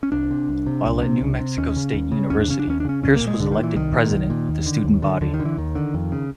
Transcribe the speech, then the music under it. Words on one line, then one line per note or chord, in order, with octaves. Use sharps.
While at New Mexico State University, Pearce was elected president of the student body.
C#4
C2 D4
C3
C2
C3
C2
C3
C2
C3
D#2 C#4
C#3
D#2
C#3
D#2 C#4
D4
C#3 C#4
D4
D#2 C#4
D4
C#3 C#4
C2 C#4
A#3
A#2
G#3
C2 D3
D#3
A#2
E3
C2 D#3
A#2
C2
A#2
D#2
D3
D#2
D3
D#2 D3
D#3
D3
E3
D#2 D#3
D3
F2
C#3